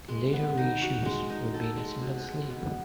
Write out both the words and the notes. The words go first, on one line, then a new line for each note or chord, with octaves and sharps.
Later reissues would be in a single sleeve.
G#3
B3
D#4
F#4
G#3
D#4
A4
G#3
B2
G#3
B3